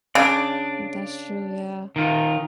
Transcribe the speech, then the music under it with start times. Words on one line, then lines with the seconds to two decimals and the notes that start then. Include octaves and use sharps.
That's true, yeah.
0.15 C#3 D4 D5
1.96 D#3 F4